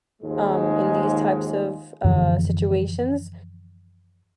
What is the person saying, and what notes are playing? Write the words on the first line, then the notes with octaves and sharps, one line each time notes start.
um, in these types of, uh, situations,
D#2 G#2 F3 G#3
F#2 D3 E3 F3